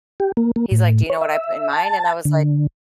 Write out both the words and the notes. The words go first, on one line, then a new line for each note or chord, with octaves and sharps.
He's like, "Do you know what I put in mine?" And I was like
G4
A#3
A#3
A2
C#5
E5
A5
D3